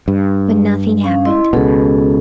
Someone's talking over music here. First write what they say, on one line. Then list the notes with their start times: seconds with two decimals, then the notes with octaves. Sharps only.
But nothing happened.
0.08 G2
1.04 C#4 F5
1.25 E4 D#5 C6
1.53 C#2 B2 C#4 G#4 A4